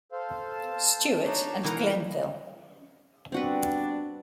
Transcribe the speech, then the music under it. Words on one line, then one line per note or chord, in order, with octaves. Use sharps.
Stewart, and Glennville.
A4 C5 F5
A5
D4 D#4 C#5
B2 E3 D#4 A#4
G3 B3 C4 D4 F#4 B4